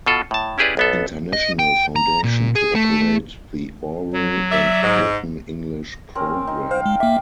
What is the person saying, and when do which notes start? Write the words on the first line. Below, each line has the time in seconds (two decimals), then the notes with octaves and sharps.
International Foundation to operate the Oral and Written English Programme.
0.06 B2 F4 A4
0.31 A2 A5
0.58 C#4 E4 G4 G#4 B4 D5
0.77 B1 B3 A4
1.33 D#5
1.59 G5
1.96 A#5
2.24 A#2
2.56 G#4
2.75 A3
4.13 F#3
4.51 D5 E5
4.83 G#2
6.15 C4 C#4 A#4
6.47 D#4
6.71 C5 F5 G5
6.86 G#3
7.00 A#3 E5 D6